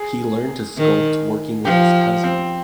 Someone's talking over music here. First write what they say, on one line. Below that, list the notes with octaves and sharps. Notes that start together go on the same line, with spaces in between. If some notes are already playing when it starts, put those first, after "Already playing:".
He learned to sculpt working with his cousin.
Already playing: G#4
D#3
F3 G4
C4